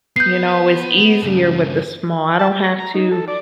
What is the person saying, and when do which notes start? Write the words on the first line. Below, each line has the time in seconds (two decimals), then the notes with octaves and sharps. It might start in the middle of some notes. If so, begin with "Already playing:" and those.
You know, it's easier with the small, I don't have to
0.16 B3 G6 C7
1.22 G2 C#3
2.39 A5
2.51 G4
2.64 C#5
2.79 A#5
2.94 D#4
3.11 A4
3.28 D5